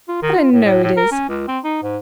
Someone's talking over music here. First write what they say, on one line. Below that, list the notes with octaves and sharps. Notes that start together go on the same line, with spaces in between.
But I know it is.
F4
D#3
F4
A2
A2
A2
A#4
C#4
C#2
C4
D#4
G#2